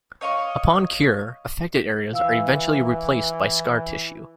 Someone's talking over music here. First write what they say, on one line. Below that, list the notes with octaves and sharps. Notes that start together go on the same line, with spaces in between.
Upon cure, affected areas are eventually replaced by scar tissue.
C#5 D#5 F5 C#6
E3 F5 E6